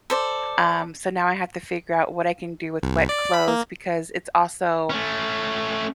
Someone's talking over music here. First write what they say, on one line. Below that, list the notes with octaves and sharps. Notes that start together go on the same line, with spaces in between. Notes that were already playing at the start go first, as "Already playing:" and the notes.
um, so now I have to figure out what I can do with wet clothes because it's also
A4 C5 D5
C2
D5
B5
A#3
A3 C#4